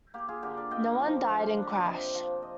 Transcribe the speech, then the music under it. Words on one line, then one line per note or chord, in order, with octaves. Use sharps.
No one died in crash.
A#3 G4
F4 G#4
D3 G4 A#4
A#4 D5
A#3 D#5 G5
F3
F3
D4
C3 D#5 G5
F3
D#5